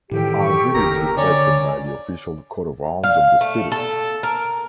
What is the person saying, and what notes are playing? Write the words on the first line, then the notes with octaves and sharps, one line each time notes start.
As it is reflected by the official coat of arms of the city.
A2 D#3 E3 G4 A4 G5
C#6
F#1 D#2 A#4 A#5
D3 C#5 D5 G#5 A#5
F5
A3
A4
A#4